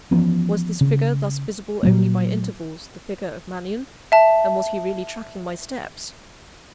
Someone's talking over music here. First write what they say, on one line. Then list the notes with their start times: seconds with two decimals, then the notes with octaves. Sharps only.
Was this figure, thus visible only by intervals, the figure of Mannion? and was he really tracking my steps?
0.11 E3 F3 B3 C#4
0.81 C#3
1.83 A#2 F#3 A#3
4.12 E5 A5